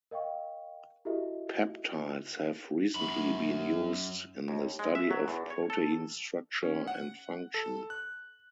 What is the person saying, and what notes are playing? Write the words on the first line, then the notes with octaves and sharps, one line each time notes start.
Peptides have recently been used in the study of protein structure and function.
A#4 D#5 F5 G5 C#6
E4 F#4 G4 A4 D#5 E5
F#2 B5
D#2
G#3
E5
F#3
E2
C#5
A4
C#4
F#5
A4
F#6